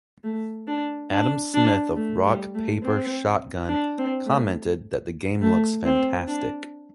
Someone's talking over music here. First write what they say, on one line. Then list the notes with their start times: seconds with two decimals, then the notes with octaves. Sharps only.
Adam Smith of Rock, Paper, Shotgun commented that the game looks fantastic.
0.24 A3
0.67 D4
1.11 D4
1.54 D4
1.97 A3
2.26 G3
2.55 A3
2.83 C4
3.69 D4
3.98 C4
4.26 A3
5.42 A3
5.85 C4
6.27 D4